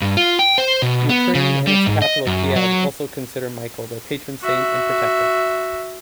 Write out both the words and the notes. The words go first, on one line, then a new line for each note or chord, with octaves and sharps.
Ukraine and its capital Kiev also consider Michael their patron saint and protector.
G2
F4
G5
C5
B2
B3
C#3
G3
G#2
D#5
F#2
F#3
F#4 E5